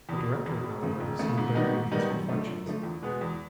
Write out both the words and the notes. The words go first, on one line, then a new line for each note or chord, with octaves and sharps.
The director, however, seemed buried with his reflections.
E2 B2
E1
E2 B2
E1
D#2 C#3 F3 A3
E1
D#2 C#3 F3 A3
G#2
D#3 G3 B3 D#4
G#2
D#3 G3 B3 D#4
F#2
D3 F3 A3
F#2
D3 F3 A3
E2
B2 G#3 B3
E2